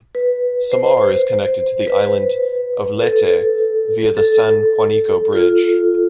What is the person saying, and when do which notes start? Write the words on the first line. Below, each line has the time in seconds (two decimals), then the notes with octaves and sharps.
Samar is connected to the island of Leyte via the San Juanico Bridge.
0.15 B4
0.72 C5
1.87 B4
3.02 A4
4.17 A4
5.33 F4